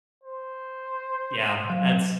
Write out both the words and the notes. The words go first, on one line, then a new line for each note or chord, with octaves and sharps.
Yeah, that's
C5
F#3